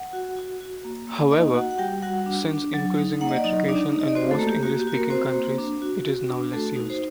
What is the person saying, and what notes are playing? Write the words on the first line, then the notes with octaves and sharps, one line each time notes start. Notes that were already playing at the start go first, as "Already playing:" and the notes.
However, since increasing metrication in most English-speaking countries, it is now less used.
Already playing: F#5
F#4
F#4
F#4
A#3
A#3
A#3 D#4 D#5
F#4 F#5
F#5
G3 G4 G5
G3 F#4 F#5
D4
D4
F#3
D#4
A#3 F#5
D#5
D5
F#3 D#4 D#5
D4 D#4 D5
D#4
D#5
D5
C4 F#4 C5
A3 A4
A#3
G4
A#3 F#4
G4
F#4
A#3 A#4
C4 F#4 C5
A#3
D4
F#4
F#4
D4
A3 F#4 A4
D#4
C5